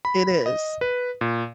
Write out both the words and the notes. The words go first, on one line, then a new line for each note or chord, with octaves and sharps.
It is.
B5
D#5
B4
A#2